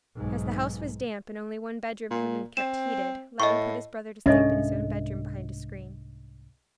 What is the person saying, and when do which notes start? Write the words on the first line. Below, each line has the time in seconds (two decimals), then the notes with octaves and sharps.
As the house was damp, and only one bedroom had been kept heated, Levin put his brother to sleep in his own bedroom behind a screen.
0.16 B1 G#2
2.10 A#2
2.57 C4 E7
3.40 A2 D#5 C#6
4.26 C2 G#2 C#4 D4 A4 D#5 E5